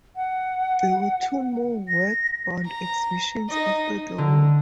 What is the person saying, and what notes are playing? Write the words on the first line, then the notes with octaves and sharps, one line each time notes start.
There were two more Werkbund Exhibitions after the war.
F#5
A#6
A#5
D#4 D#5
D3